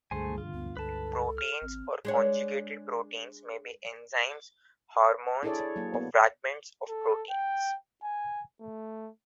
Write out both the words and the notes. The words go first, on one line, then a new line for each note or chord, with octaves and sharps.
Proteins or conjugated proteins may be enzymes, hormones or fragments of proteins.
C#2 G2 D3 A3 G#4 C5 G#5
F4
D2 B3
C#2 A4 B4 A5
F6
G#1 C4
G#3 D4 C#5
D4 E4 G#4 A4 C#5 D5
C#5
F#3 A#3
B3
A4
G5
G#5
A3